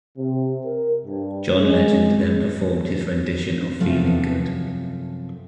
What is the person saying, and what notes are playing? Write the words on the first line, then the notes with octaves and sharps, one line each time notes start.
John Legend then performed his rendition of "Feeling Good".
C3
A#4
G2
G#3
F#2 C3 F3 A3 A4